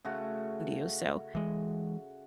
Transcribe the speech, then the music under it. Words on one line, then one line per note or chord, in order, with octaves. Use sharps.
you, so,
C#3 A3 F#4
E3 G#3